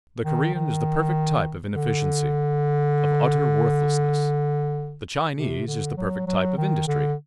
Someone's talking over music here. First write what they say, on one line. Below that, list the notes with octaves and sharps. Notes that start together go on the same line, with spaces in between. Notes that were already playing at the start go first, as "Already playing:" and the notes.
The Korean is the perfect type of inefficiency--of utter worthlessness. The Chinese is the perfect type of industry.
D#3
D#3
D3
C3
D3
F#3
F#3
D#3
D3